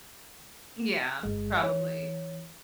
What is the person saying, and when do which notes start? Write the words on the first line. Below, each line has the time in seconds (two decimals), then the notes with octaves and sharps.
Yeah. Probably.
1.23 G1 G#3
1.63 E3 C#5